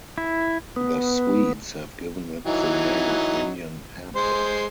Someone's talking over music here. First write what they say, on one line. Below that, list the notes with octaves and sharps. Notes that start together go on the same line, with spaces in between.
The Swedes have given it the name of Indian hemp.
E4
B3
E3 F#3 D#4
G#3 C5 C6